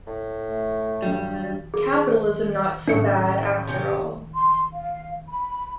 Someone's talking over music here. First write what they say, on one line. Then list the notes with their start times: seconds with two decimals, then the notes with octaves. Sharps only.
Capitalism not so bad, after all.
0.07 A2
0.46 A3
1.02 G2 F#3 G3
1.74 G#4
2.88 A2 C#3 D4 C#7
3.67 C3 C#4 G4
4.35 C6
4.73 F5
5.29 B5